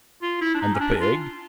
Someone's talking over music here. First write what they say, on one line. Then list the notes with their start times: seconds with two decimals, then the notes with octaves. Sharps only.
"And the pig?"
0.22 F4
0.41 E4
0.54 D4
0.61 D#4
0.74 C#4
0.80 D4
1.01 F4